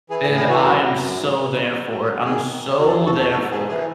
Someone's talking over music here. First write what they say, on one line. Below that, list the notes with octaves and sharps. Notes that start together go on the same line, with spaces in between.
and I am so there for it, I'm so there for it.
E3 G#4
G#4
A2
G#4
E3 F#4
F#2 F#4
F#3
F#2
G#2
E3
E3
F#3
F#3
F#2
D#3 G#4
D#3
F#3
E2 F#4
A4
G#4
E2
F#4 A4
E2
A4 C#5
G#2 F#4 A4
G#2 G#4
E3 G#4